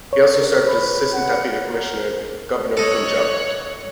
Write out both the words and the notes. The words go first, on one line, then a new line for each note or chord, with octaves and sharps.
He also served as Assistant Deputy Commissioner Governor of Punjab.
A#4 C#5
B4
F#5
A#4
A4 C#5 D#5 F#6 C#7